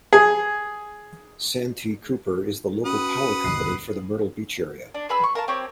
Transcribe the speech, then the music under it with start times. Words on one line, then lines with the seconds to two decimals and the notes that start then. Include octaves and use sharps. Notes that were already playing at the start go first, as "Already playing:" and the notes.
Santee Cooper is the local power company for the Myrtle Beach area.
0.13 G#4
2.86 C#4 F#4 B4 F#5 D#6
3.44 G1 D#2 B2 C7
4.95 D4
5.09 G#4 B4 B5 E6
5.23 C#6
5.35 A#4 F5 A5
5.48 C4 G4 C#5